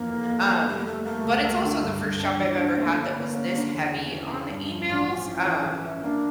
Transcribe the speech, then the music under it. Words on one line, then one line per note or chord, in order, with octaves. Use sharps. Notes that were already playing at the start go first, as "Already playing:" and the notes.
um, but it's also the first job I've ever had that was this heavy on the emails, um
Already playing: F2 E3 A#3
F1
F1
F1
G3 A3
A#3
G3 A3
A3 A#3
C#2
A#3
D3
G2
G2
D4
E3
A#3
C#4 D4
A3 A#3
D3 A#3
C#4
C#4
D3
E2 C#4
C#3
E3
C#3
G2
F3
A1 D4
F3 C#4
A2
E3
E3
E4
A#3 D4